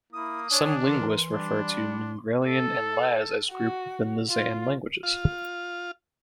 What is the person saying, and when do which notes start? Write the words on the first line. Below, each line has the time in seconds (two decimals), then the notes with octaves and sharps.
Some linguists refer to Mingrelian and Laz as grouped within the Zan languages.
0.13 A#3 E4 D#6
0.51 D4 C#5 G#5
0.85 E3 A#4 C6
1.32 G3 D4
2.45 A4
3.51 F#4
4.30 F4
5.03 F4